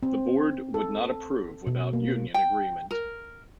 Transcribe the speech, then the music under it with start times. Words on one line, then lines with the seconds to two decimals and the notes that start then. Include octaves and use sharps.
The Board would not approve without union agreement.
0.03 C4
0.74 A4
1.67 B2
1.93 A#3
2.34 G5
2.91 A#4